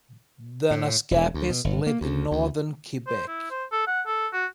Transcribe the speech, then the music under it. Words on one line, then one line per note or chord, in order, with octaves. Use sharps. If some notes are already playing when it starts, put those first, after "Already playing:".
The Naskapis live in northern Quebec.
A2
E1
D2
B2
G1
A#3
D2
D2
C5
E4
C5
A4
F#5
A4
F#4